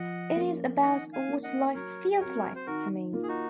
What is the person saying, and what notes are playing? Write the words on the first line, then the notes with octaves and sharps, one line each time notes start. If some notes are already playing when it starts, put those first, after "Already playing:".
It is about what life "feels" like to me.
Already playing: F3 D#5 F#5
A#3 C#4
D#3 D#5 F#5
F5 G#5
A#3 C#4
D#5 F#5
F#3 A#4 C#5
D#5
C4 F#4 A#4 C#5
C5
D#3 F#4 A#4
A#3 F4
G#4
D#4 F#4